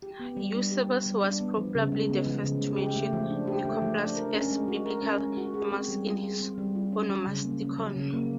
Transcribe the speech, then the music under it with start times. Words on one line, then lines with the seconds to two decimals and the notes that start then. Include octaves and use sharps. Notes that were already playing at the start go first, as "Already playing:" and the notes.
Eusebius was probably the first to mention Nicopolis as biblical Emmaus in his Onomasticon.
0.02 G4
0.20 B3
0.37 G3
0.54 D4
0.71 G4
0.88 B3
1.06 G3
1.23 D4
1.40 B3
1.58 F3
1.75 C#3
1.92 G#3
2.09 B3
2.26 F3
2.43 C#3
2.61 G#3
2.78 G4
2.96 A3
3.13 F3
3.30 D4
3.47 G4
3.65 A3
3.82 F3
3.99 D4
4.16 A#4
4.34 C#4
4.50 G#3
4.68 F#4
4.86 A#4
5.03 C#4
5.20 G#3
5.37 F#4
5.54 G#4
5.72 C4
5.88 G3
6.06 F4
6.23 G#4
6.40 C4
6.58 G3
6.75 F4
6.92 C#4
7.09 F#3
7.27 C#3
7.44 A#3
7.61 C#4
7.78 F#3
7.96 C#3
8.13 A#3